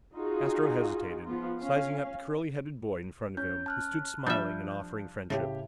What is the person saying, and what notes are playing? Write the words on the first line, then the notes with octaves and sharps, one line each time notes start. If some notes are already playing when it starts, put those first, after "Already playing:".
Astro hesitated, sizing up the curly-headed boy in front of him, who stood smiling and offering friendship.
D#4 F4 F#4 G#4
F3 B3 F4
C#4 F5
C#4 G6
A5 F6 F#6
F3 G3 D4 E5 G6
A2 C#3 G4